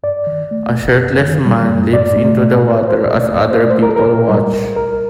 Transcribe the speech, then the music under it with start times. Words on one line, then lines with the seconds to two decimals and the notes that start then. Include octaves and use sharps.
A shirtless man leaps into the water as other people watch.
0.03 G2 D5
0.27 D#3
0.51 A3
0.74 G2
0.98 F#2
1.22 D#3
1.46 G3
1.69 F#2
1.93 A2 D5
2.17 A3
2.40 A2
2.63 A3
2.87 A2 C5
3.11 A3
3.19 D5
3.34 A2
3.50 C5
3.59 A3 D5
3.70 C5
3.82 C2 A#4
3.89 A4
3.96 A#4
4.06 A#2
4.29 G3
4.53 C2
4.76 C2 A#4